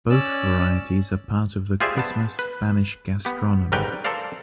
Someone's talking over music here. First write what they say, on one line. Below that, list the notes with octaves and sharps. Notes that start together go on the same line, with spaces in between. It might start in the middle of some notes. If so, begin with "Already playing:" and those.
Both varieties are part of the Christmas Spanish gastronomy.
C#4 D5 E6
F4 G4 G#4 C5 D5 E5
B3 A5
B4
B3 G4
G#2 G3 C#4 A#4 B4 G5
A4 A#4 C5 D5 F5